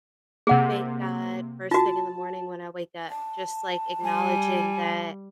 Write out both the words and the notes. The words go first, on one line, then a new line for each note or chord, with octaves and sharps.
thank God first thing in the morning when I wake up, just like, acknowledging that,
C3 A#3 G#4 F#5
F4 F#4 A5
A5
G3 G#5